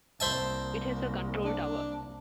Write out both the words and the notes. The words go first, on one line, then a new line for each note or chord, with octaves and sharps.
It has a control tower.
C2 A#3 C5 E5 A5
D4